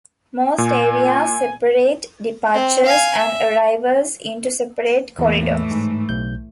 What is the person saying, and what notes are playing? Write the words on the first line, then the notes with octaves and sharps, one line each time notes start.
Most areas separate departures and arrivals into separate corridors.
A#2 G#5
C4
F5 G#5
E5
E2 A2 E3 A3 A#3
G#2
B1 G6